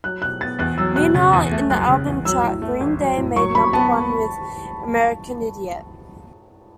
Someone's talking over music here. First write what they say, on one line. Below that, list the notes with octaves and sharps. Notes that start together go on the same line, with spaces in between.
Meanwhile, in the album chart, Green Day made number one with "American Idiot".
F#3 F#6
B2 F#6
B3 A6
E2 F#6
F#3 E6
B2 F#6
C#3 A6
E2
A3
F#1 F#6
C#3
E2
F#3 E6
A2
A3
A1
F#3
A2
F#3 C#6
F#2 B5
B3 A5